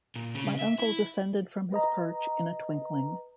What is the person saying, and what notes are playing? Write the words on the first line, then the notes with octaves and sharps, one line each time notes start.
My uncle descended from his perch in a twinkling.
A#2
C#3
E5
E4
B4 D#5 A#5